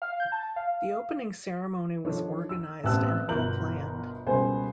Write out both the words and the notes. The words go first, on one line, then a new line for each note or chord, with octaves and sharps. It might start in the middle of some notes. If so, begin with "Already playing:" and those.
The opening ceremony was organized and well planned.
F5
G6
A5
F5
D#3 F3 D4 A4 C#5
E6
A1 B3 C4 A5 E6 F#6
G1 B2 F4 A#4 G6 F#7
C#2 B2 G3 A#3 C5 G#5